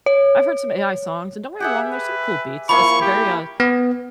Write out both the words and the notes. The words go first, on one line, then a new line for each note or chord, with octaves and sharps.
I've heard some AI songs, and don't get me wrong, there's some cool beats, esp very, uh,
C#5
G4 G#4 E5 F#5
B4
F3 A#3 E4 B5 C#6
G4
B3